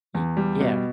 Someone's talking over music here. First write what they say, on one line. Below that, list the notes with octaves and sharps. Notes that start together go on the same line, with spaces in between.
Ye Yeah.
E2
G3
B2